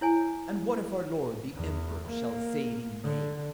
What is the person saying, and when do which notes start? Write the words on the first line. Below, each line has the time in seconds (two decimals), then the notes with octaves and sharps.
"And what if our lord the emperor shall say thee nay?"
0.01 E4 C#5 G#5
1.54 E2
2.07 A#3
3.03 D3